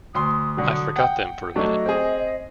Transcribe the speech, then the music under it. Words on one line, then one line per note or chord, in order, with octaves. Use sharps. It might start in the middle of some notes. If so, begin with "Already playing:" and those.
I forgot them for a minute.
D2 C6 D#6
D3 F#3
F#5 G5
F#3 A3 D4 D#5
C4 G#4